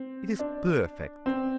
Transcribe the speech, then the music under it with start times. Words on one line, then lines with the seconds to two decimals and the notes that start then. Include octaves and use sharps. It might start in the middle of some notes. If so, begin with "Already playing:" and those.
It is perfect.
Already playing: C4
0.39 D4
1.26 C4